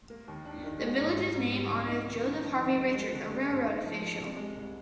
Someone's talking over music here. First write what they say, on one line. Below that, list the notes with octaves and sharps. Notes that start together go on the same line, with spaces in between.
The village's name honors Joseph Harvey Richards, a railroad official.
A#3
D#2
D4
D#3
G#3
G#2
G3
G#2
G3
C2
D#4
D#3
D#3
F2
D#3
C2
G#3
D3
G#3
G2
D#4
F3
A#3
C3
G#3
C2